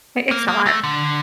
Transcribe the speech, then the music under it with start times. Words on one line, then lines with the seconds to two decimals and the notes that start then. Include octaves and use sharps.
I it's not.
0.31 A#3
0.48 A#3
0.66 A3
0.84 D3